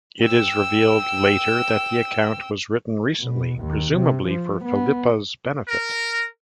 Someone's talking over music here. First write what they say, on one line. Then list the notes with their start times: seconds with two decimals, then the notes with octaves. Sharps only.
It is revealed later that the account was written recently, presumably for Phillipa's benefit.
0.24 G5 E6
3.20 B2
3.61 D#2
3.94 C3
4.26 F3
4.65 B3
5.67 A#4